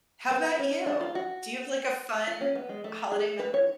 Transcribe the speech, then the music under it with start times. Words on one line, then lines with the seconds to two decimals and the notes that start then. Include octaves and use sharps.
How about you? Do you have like a fun holiday memory?
0.31 B3
0.59 C#4
0.86 D4
1.01 F4
1.15 F#4
2.27 F4
2.41 C#4
2.55 B3
2.69 G#3
2.84 A3
3.11 G#4
3.39 B4
3.54 C#5